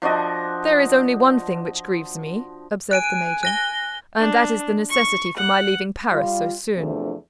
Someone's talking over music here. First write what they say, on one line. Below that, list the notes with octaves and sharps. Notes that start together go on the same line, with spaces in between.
"There is only one thing which grieves me," observed the major, "and that is the necessity for my leaving Paris so soon."
F3 D4 F#4 D#5
G#5 F#6 D7 D#7
F#6 A#6 G7
D4
C#6
F#5
G3 F4
E2 C3 F3 A3 D4